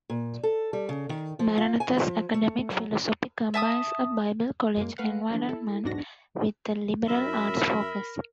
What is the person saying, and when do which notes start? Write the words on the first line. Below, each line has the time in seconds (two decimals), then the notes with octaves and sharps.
Maranatha's academic philosophy combines a Bible college environment with a liberal arts focus.
0.10 A#2
0.43 A4
0.73 G3
0.89 C#3
1.09 D#3
1.39 F3
1.58 F4
1.80 G#5
1.98 F3
2.34 A3
2.71 F#3
3.54 E5 A5 D#6
4.77 F#2 G#3 A#3
4.98 A3 B4 F5 F#5
5.30 D3 E3 F3 A3 D4
5.49 E4 A4
5.84 B1 E2 G#2 D4 F#4 A#6
7.08 F#2 A#4 E5 B5